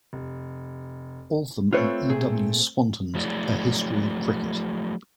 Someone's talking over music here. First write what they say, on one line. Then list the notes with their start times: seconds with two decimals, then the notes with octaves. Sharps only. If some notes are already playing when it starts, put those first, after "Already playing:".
Altham and E. W. Swanton's "A History of Cricket".
0.13 F1
1.73 A3 C4 F4 A4 B4 C#5
2.10 A#2 G#4
3.15 F3 F#3 A3 E4 G#4 D5